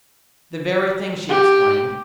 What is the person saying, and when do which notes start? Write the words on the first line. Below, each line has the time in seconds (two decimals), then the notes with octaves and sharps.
"The very thing," she exclaimed.
1.29 G4